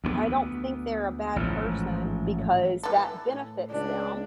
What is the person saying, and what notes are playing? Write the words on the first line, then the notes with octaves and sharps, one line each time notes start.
I don't think they're a bad person because that benefits them.
D2 G3 B3
A1 G#2 C3 F3
E3 A4
A2
C#2 D4